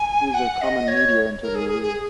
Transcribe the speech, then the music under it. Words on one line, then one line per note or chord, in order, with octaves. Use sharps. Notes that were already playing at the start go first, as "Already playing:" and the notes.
He is a common media interviewee.
Already playing: G#5
F#5
D#5
C#5
A#4
G#4
G#4
G#4